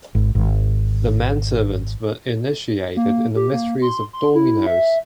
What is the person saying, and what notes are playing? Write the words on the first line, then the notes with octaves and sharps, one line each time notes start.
The men-servants were initiated in the mysteries of dominoes.
G#1
G#1
A#3
G4
A#3
C6
C6
E4
E5